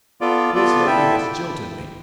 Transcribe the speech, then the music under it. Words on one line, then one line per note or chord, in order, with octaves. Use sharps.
"This lady has jilted me."
B3 F4 A4 D5
B3 F4 A4 D5
E4 A4 E5 G5